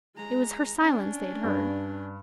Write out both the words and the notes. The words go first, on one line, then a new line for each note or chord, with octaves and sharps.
It was her silence they had heard.
G#3 A#5
C#4 D4
G2